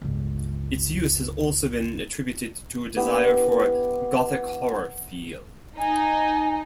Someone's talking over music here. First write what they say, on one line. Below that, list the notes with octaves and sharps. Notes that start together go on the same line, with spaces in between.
Its use has also been attributed to a desire for a "gothic horror" feel.
G1 C#2
B3 D4 E4 G4
D#4 G#5